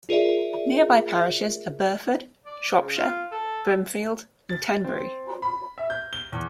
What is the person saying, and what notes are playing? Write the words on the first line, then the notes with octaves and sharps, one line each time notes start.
Nearby parishes are Burford, Shropshire, Brimfield and Tenbury.
F4 G#4 A#4 D5 E5
D5
C#3
F4
A4
A6
C4
B5
E5
G6
G7
E2